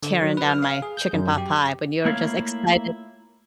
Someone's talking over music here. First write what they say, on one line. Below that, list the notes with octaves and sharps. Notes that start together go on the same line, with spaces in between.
tearing down my chicken pot pie when you were just excited.
D3
F#3
B4
F6
F5
G#4
G6
F#2
G4
A3 A#3 E4 F4 C#5 F5